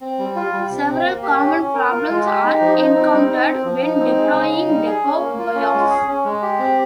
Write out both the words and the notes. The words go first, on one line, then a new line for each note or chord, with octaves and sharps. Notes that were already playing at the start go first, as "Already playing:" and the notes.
Several common problems are encountered when deploying deco buoys.
C4
G3
F4
G3
C3
C4
A#3
G4
C#4
C#4
A#4
F4
G#3
G4
D#4
F3
D#4
C4
G3
D#4
C4
F3
D#4
C4
G#3
C#3
D#4
G3
G#4
C#4
A#3
F4
C#4
G#3
G#4
C#4
G#3
G4
C4